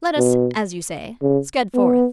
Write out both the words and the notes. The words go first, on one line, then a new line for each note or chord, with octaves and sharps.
Let us, as you say, scud forth.
B2
C#3
B3